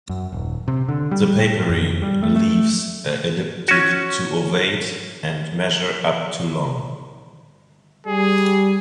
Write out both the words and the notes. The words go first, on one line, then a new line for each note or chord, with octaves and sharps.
The papery leaves are elliptic to ovate and measure up to long.
F#2
D#1
C3
D3
G3
A2
F2
G3
A3
A3
C#4 F#4
G3 G#4